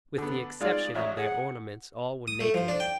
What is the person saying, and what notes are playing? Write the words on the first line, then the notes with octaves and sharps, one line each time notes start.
With the exception of their ornaments all were naked.
D3 B3
G#3 D#4 F4 D5
A1 C#5 D#5 E5
G#4 F#5
D#6
A3
F3
D4
G5